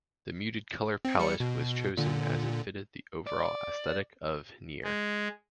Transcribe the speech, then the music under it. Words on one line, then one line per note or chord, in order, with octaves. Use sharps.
The muted color pallette was chosen as it fitted the overall aesthetic of "Nier".
C4
G3 C#7
B2
A#2 D3
D5
G#3